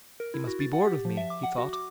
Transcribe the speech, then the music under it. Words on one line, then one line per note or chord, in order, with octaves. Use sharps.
"He must be bored with me," he thought.
A#4
E4
F#4
A6
F#5
G4
F3
E5
D6
F#5
F#4
D6